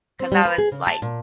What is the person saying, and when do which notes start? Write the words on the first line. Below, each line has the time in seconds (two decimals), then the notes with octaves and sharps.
'cause I was, like,
0.20 C4
0.32 G3
0.45 B4
0.58 G#4
0.72 C#3
0.87 A5
1.02 A#2